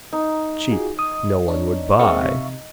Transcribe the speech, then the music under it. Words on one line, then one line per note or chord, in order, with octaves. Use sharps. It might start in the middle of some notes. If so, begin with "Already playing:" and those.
Cheap no-one would buy.
D#4
F4 F#4 G#4
D#6
D4 C#5
G#3 A#3 C4 E5 F5 C#6
C3